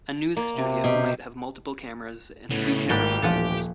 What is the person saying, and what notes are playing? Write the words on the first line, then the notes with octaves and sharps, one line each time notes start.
A news studio might have multiple cameras and few camera movements.
A#3
C3
B2 G4
A2 C#3 B3
G#1 D#3 F#4 G4 D5
D#1 A1 F3 F#5 A5